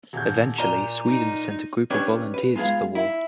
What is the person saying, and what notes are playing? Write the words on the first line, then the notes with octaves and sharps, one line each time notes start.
Eventually Sweden sent a group of volunteers to the war.
D#1 G6
A#2 D5 A#5 G7
D#4
C#4 D4 G4 B4 C#5
B4
G#3 B3 F4 G#4 F5
E4